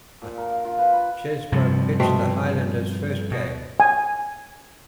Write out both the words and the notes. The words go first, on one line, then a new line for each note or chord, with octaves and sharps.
Chesbro pitched the Highlanders' first game.
A#2
A#4
F5
F4
B4
B5
G2 C3 F3
B2 A3 C4
B2
G#5